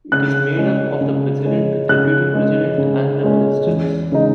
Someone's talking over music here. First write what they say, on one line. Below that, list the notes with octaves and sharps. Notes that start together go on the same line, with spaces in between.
It is made up of the President, the Deputy President, and the Ministers.
C#3 F#6
G#3 C#4
C#3
G#3 C#4
C#3 F#6
G#3 C#4
C#3
G#3 C#4
E2
C#3 G#3 D#4